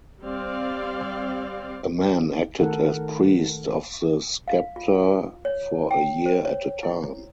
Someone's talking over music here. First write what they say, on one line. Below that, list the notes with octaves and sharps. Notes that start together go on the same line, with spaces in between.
A man acted as priest of the scepter for a year at a time.
G3 C4 D5 F5
D#3 A3 A4 A#4 F#5
F5
F4
C#5
G5
C5
C#5
E4